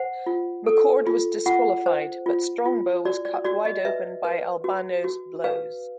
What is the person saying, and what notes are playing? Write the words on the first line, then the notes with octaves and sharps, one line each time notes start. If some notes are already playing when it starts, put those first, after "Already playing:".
McCord was disqualified, but Strongbow was cut wide open by Albano's blows.
Already playing: C5 F#5
F4
A4
F4
F4 F#5
C5
F4
F4
F#4 D5
D5
F#4 D5
D#5
B4 E5
B4
F#4
F#4
B4 F5